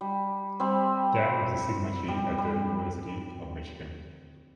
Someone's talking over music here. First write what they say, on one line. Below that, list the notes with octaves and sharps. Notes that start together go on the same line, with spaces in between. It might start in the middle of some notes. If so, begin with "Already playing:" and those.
Dann was a Sigma Chi at the University of Michigan.
G3
G3 C4
G3
G3